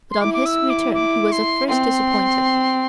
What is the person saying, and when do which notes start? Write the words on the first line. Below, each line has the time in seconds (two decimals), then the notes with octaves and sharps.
But on his return he was at first disappointed.
0.11 C6
0.21 E4 D6
0.34 D6
0.46 E6
0.70 D6
0.94 D6
1.32 C6
1.68 C4 C6